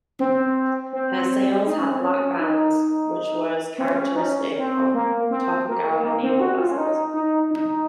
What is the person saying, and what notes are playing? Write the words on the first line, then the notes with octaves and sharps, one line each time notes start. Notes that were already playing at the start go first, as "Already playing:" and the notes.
Her sails had black bands, which was characteristic of Tokugawa naval vessels.
C4
C4
D#4
C#4
C4
C#4
D#4
C4
C#4
D#4
C#4
C4
A#3
C4
A#3
A#3
C4
F#4
F4
C#4
D#4
D#4
D#4